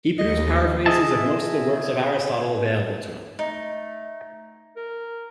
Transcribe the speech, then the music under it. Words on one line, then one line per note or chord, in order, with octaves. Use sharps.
He produced paraphrases of most of the works of Aristotle available to him.
D#2 D#5
G#4 D#5 E5 A5
A3 D#4
A#4